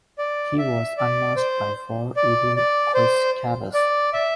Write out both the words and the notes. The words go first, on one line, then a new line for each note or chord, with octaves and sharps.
He was unmasked by "War Eagle" Chris Chavis.
D5
E5
D5
C5
D5
D5
C5
D5
E5